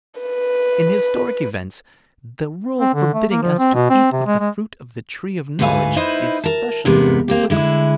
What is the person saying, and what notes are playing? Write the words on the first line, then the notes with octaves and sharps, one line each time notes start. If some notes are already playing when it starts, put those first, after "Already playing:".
In historic events the rule forbidding us to eat of the fruit of the Tree of Knowledge is specially applicable.
B4
C4
D3
A3
A#3
F3
C4
B2
C4
C3
G#3
G#3
D2 G#2 A3 B4 F5 G#5
D#4 E4 B4 C5 D#5
A#4 A5
E2 G2 C3 G#3 B3 A#4
A#3 C4 G4
D3 G#3 E4